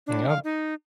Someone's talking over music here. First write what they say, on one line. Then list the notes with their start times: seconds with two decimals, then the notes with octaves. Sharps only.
And, yep.
0.07 D4
0.28 F5
0.44 D#4